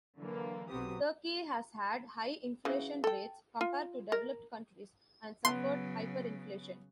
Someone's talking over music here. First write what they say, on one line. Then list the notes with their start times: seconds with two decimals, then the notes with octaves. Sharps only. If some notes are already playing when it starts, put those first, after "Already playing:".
Turkey has had high inflation rates compared to developed countries and suffered hyperinflation.
0.18 D3 E3 F#3 A#3
0.69 B1 F#3 B3 C4 G4 D#6
2.65 C#3 E3 F#3
3.04 A4 G5
3.61 F4
4.12 A#4
5.45 C#3 F#3 B3 C6